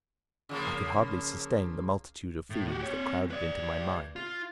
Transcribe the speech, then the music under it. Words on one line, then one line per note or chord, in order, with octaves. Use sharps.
I could hardly sustain the multitude of feelings that crowded into my mind.
C#3 F3 A#3
A2
F#4 G4
C4 C#5
B4 D5
F4